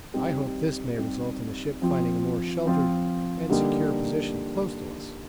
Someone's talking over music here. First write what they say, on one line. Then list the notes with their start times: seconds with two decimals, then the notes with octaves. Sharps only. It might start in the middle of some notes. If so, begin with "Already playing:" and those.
I hope this may result in the ship finding a more sheltered and secure position close to us.
0.14 G3 C4 D#4 G4
0.98 G3 C4 D#4 G4
1.82 F3 C4 F4
2.66 F3 C4 F4
3.49 D3 G3 A#3 D#4 G4